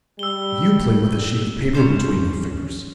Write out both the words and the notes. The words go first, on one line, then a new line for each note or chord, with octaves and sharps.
You play with a sheet of paper between your fingers.
G3 E6 G7
C#4 C5